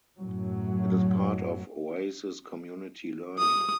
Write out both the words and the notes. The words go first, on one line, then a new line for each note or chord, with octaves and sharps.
It is part of Oasis Community Learning.
F#2 A2 F#3
D#6